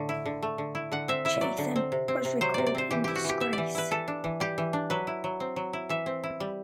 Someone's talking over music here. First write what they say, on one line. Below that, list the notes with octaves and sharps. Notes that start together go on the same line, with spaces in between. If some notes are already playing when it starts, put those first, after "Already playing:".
Chatham was recalled in disgrace.
Already playing: A2 D3 A3
E4
D3
A3
D3
E4
D3 F#5
C4 E5
E4 E5
F#3 D5
D3
C4
C3
C4
C3
F#3 C5
C3 D5
D5
C4 C5
E3 G4
E4 G4
F#4
E3 G4
B3 E5
D5
E3
E4 B4
E3 A4
D4
E3
G3 G4
E3
D4
F#3 B4
E4
F#3
C4
F#3
E4
E3 E5
C4
E4
G3